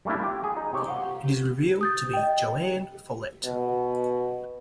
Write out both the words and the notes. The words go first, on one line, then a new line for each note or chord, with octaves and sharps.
It is revealed to be JoAnne Follett.
G3 A3 A#3 D4 E4
F4 G4
G#4
D#4
C3 G4 C#5 D#5
C5 F5 F#5
D#6 G6 A6
D#5 G5
B2